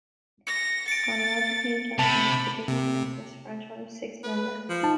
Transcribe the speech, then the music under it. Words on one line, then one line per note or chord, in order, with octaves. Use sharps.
Chronologically, Jasmine is the Disney Princess franchise's sixth member.
A#6 C#7
A6 C#7 D7
C3 A5 B5
C3
B4
F3
D#4 A5